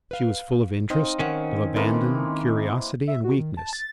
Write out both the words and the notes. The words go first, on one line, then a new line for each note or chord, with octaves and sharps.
She was full of interest, of abandon, curiosity, and weakness.
B4 F5
C4 D#4 D#5 F5
D#3 C#4 A#4 E5 F#5
E3 G#3 A#3 C4 A4 A#4
E5
F#4
D#3
A5
A6